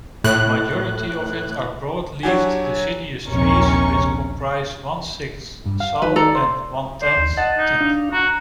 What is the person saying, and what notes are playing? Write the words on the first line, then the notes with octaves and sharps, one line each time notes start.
Majority of it are broad-leaved deciduous trees which comprise one-sixth "sal" and one-tenth teak.
A2 F#6
F#3 D4 F#4 G4 C#5 G#5
A#1 D#2 C3 C#4 A#4 C#6
G2
F5
D#3 B4
A4 D5 A#5
C5
C5 D5
D#2
D#5 F#5 A5
D#4
D4 F5
F#4 A#5